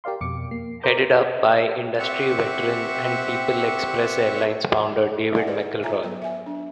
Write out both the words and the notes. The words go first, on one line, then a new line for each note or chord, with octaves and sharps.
Headed up by industry veteran and People Express Airlines founder David McElroy.
G4 A#4 D5 F5 C6
F2 B2 D6 C#7
A#3 C7
A#4 C5 A#5 D6 G6
C4 G4 E5 F#5 C#6
D5 E5 F#5 G#5
G4 G#4 B4 C5 D5 D#5
F4 C#5 E5 G#5 A#5
F#3 B3 A4 G5
E5 G#5
D4